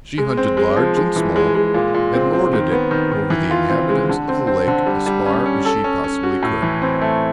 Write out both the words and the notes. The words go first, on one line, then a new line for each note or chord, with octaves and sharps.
She hunted large and small, and lorded it over the inhabitants of the lake as far as she possibly could.
G#3
C4
G#3
F3
G#3
E3
G#3
G#3
A#2
A#2
C4
C4
D#3
B3
D#3
D#3
E3
F4
C4
G#3
D3
C4
C4
D3
G3
G3
C#4
C#4
A4
C#4
C#4
F#4
A2
E3
C4
A3